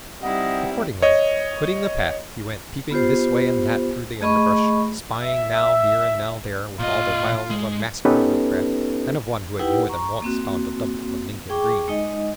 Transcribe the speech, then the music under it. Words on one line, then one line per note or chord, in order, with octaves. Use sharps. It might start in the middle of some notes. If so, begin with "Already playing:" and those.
Accordingly, quitting the path, he went peeping this way and that through the underbrush, spying now here and now there, with all the wiles of a master of woodcraft, and of one who had more than once donned a doublet of Lincoln green.
G3 C4 D#4 E4 D#5 F#5
C#5 D#5
B3 F4 G4 C5
A3 G#4 D#5 B5 C#6
E5
A#2 F4 D#5
G#3
B3 C#4 D#4 G4 A4 B4
D#4 E4 G4 B4 F#5 G5
A#5 C#6
A#3 C4 F#4
G#4 G5 C#6 D6
G#3 D#4 D#5